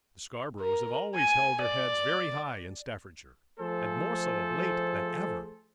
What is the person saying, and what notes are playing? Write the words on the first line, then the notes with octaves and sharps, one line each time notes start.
The Scarboroughs have always held their heads very high in Staffordshire, and more so of late than ever.
A#4
G#5
D5
F3 A3 G#4 A4 C5